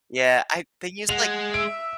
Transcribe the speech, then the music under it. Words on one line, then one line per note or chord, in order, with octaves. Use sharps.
Yeah, I they use, like
G#3 F#5 F7
E5 E6 D7